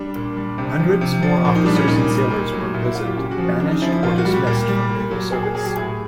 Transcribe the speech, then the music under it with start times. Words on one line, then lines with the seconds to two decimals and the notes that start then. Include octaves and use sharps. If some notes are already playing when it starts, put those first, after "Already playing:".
Hundreds more officers and sailors were imprisoned, banished or dismissed from naval service.
Already playing: G3 D4
0.15 A#2
0.36 G3
0.58 C3 D4
0.80 F3
1.01 C3
1.23 F3
1.45 A#2
1.55 D#4
1.66 G3 D4
1.76 C#4
1.88 A#2 D#4
2.09 G3
2.30 A#2
2.52 F#3
2.74 A#2 E4
2.85 E4
2.95 F#3 F4
3.06 G4
3.17 C#3 G4
3.31 F#4
3.38 F3
3.60 C#3 D4
3.71 D#4
3.82 F3 E4
3.92 E4
4.03 A#2 F4
4.18 F#4
4.25 G3
4.32 G4
4.47 A#2
4.68 G3
4.90 A#2
5.11 F#3
5.32 A#2 G#4
5.43 G#4
5.55 F#3 G#4
5.65 G4
5.76 A2 G#4